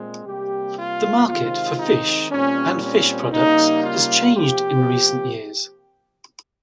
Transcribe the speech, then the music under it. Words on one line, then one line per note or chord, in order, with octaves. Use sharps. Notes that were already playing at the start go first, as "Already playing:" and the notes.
The market for fish and fish products has changed in recent years.
Already playing: A#2 G#3 C4
C3 G3 A#3 G4
F4
C3 D#3 G#3 C4 F4
D#4
A#2 G3 C4 C#4
C#4
C#3 G3 A#3 D#4
F4
C3 F3 A#3 G4